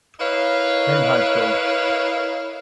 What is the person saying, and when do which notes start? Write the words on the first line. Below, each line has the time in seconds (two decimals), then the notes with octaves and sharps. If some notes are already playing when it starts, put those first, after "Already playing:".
King High School.
0.20 E4 A#4 B4 C#5 D#5 F5